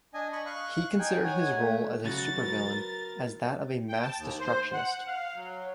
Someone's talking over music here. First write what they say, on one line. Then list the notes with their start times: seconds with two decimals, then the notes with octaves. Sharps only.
He considered his role as a supervillain as that of a "mass-destructionist".
0.14 D4 D#5 G#5
0.33 D#5 B5 C#6
0.46 F5 C#6 F#6
0.99 D#4 G5 G#5
1.24 C#5 F#5 G#5
1.55 A3
2.04 C#3 F#3 F#4 A6
2.38 F#3 A#4 B4
3.89 G5
4.03 A5
4.17 D#2
4.40 C5
4.73 F#5
5.07 F5
5.35 F#3